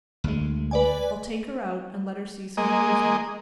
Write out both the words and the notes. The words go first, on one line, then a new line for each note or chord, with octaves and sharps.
I'll take her out and let her see some amusement.
D2 G#3
B4 D5 G#5
G#3 A#3 D#5